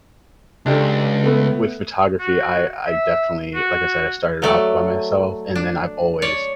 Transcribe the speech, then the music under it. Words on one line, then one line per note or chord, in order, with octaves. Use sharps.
with photography, I I definitely like I said, I started off by myself, and then I've always
C#2 D4 G4 A4
A3 B3
F#4
E5
F#4
F#3 A3 D5
D4
C#5 D5